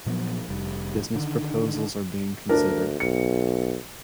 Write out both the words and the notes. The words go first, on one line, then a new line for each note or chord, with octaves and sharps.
Business proposals are being considered.
A#2 F3 F#3 B3
F1 G3
D3 D#3
D2 D4 A#4
B1 C#7